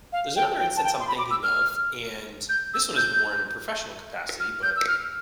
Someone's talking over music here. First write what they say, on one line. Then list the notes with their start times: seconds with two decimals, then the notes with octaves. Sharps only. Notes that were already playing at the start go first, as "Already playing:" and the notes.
There's another instance I'm thinking of, and this one is more in a professional capacity, but
0.12 F5
0.36 G5
0.59 G5
0.77 A5
0.84 G5
1.00 C6
1.07 B5
1.18 D6
1.31 E6
1.43 F6
2.49 G6
2.74 E6
2.97 G6
4.40 F6
4.63 G6
4.76 E6
4.87 F6